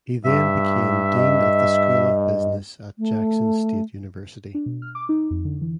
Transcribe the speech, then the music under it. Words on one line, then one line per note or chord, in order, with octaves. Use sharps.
He then became dean of the school of business at Jackson State University.
G2 E5
D#5
A3
D4
B2
F6
D6
D#4
F2
D3
E3